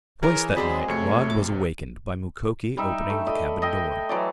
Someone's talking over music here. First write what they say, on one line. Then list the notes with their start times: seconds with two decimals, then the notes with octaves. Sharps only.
Twice that night Rod was awakened by Mukoki opening the cabin door.
0.23 E3 G#4 A#4 C#5
0.57 F#3 G#3 C4 G#4 C5 D5 B5
0.88 F2 C3 A3 C#5 C#7
1.30 D6
2.77 G3 D#4 E5
3.10 A3
3.27 D5 D#5 B5
3.62 D#5 E5 G5 B5
4.09 E3 F#3 D5